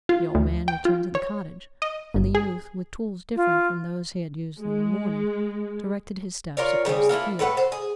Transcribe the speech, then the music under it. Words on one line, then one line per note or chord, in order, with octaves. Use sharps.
The old man returned to the cottage, and the youth, with tools different from those he had used in the morning, directed his steps across the fields.
F4
D2
G5
F4
C#5
D#5
G1
G#4
F4
G#3
F4 A#4 C#5 D5
C#3 G3 C4 G#4
A#3 E4 F4 A4
A2 A4 B4 F#5
C5
G#4